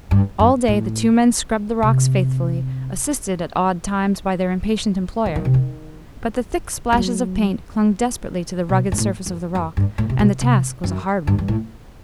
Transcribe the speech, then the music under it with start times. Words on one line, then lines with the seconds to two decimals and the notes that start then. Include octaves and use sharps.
All day the two men scrubbed the rocks faithfully, assisted at odd times by their impatient employer; but the thick splashes of paint clung desperately to the rugged surface of the rock, and the task was a hard one.
0.11 G2
0.39 F#2
0.68 A2
1.83 C3
5.26 E3
5.36 D#3
5.45 C3
5.54 D#3
6.93 G3
6.97 F#3
8.69 B2
8.92 G2
8.98 A2
9.26 F#2
9.55 F#2
9.77 G2
9.98 A2
10.10 C3
10.19 B2
10.41 C3
10.84 F#2
11.27 G2
11.39 G2
11.48 A2